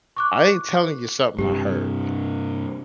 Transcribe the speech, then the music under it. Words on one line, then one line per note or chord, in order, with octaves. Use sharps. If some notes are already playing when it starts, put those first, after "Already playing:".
I ain't telling you something I heard,
C#6 D6 F#6
G2 C3 G4